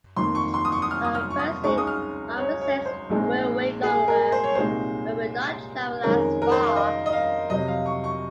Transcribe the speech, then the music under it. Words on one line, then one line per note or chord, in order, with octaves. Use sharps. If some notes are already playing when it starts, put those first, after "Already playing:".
Conversely, marmosets will wait longer, but will not travel as far.
F2 D#3 A#3 C6
C#6
C6
D#6
C#6
D#6
F6
D#6
F6
C#6
D#6
C#2 C#3 G#3 D#4 C#6
D#6
F6
C#5
C#5
C5
A#1 A#2 G#3 C4 D#4
G#4
A#4
C5
C#5
C2 A#2 G#3 C4 D#4 C5
F2 D#3 G#3 C#4 A#4
A#4
C5
F5
D#5
D#5
F5
F2 C3 F#3 D#5
F5
C#6
C#6